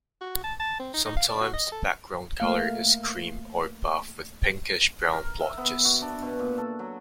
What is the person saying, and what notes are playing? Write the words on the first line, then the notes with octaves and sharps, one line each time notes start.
Sometimes the background colour is cream or buff with pinkish-brown blotches.
F#4
A5
A5
C4
D#4
D#4
F5
D5
F#4
D#5
A4
A3 A#3 F5
A#4
E5
B3
F#4
D4
B2
A#2
A4
F#3